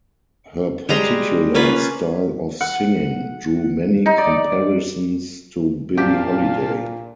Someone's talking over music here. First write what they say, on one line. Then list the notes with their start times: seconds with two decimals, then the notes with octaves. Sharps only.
Her particular style of singing drew many comparisons to Billie Holiday.
0.89 G3 G#3 A#5 C6
1.55 A#3 C#4 F4 B4
2.61 F#5
4.06 D#4
4.18 D5
5.97 A#1 A#2 F3 G4 F5 A5 B6